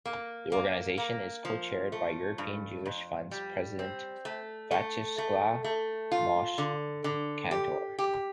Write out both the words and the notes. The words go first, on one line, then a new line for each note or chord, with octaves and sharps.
The organization is co-chaired by European Jewish Fund President Viatcheslav Moshe Kantor.
A#3
A#3
A#3
F3
A3
G2
F2
G3
C4
A3
A3
A3
A3
F4
D3
D3
G4
G4